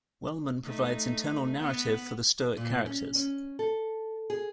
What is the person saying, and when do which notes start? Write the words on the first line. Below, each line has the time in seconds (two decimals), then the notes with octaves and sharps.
Wellman provides internal narrative for the stoic characters.
0.64 A3 D#4
1.59 B3
2.57 A#2
2.86 C#4
3.15 C#4
3.59 A4
4.30 G#4